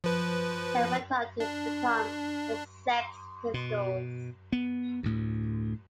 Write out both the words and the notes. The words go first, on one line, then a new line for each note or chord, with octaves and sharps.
They went on to become "The Sex Pistols".
F3 B4
D4
B2
B3
D2 A2